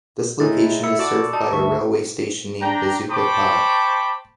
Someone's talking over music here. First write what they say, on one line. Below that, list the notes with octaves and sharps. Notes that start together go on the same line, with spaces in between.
This location is served by a railway station named 'Besucherpark'.
A2 G#3 D#4 E4 A6
E4 E5 B5 E6 C#7
F#4 D5 A5 D6
D#4 D5 A5
D2 E5 C#6
D4 G5 A#5
C5 G5 A5 B5 C#6 D6